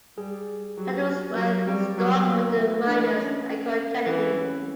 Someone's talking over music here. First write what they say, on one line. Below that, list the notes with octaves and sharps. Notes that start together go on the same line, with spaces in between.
Shuttlesworth stuck with the Riders and called Kennedy.
G3 G#4
F#3 G4
F#4
F#3
G3 C4
F#3 B3
A#3
E3 A3
E3 D4
C#4
E3 C4
C#4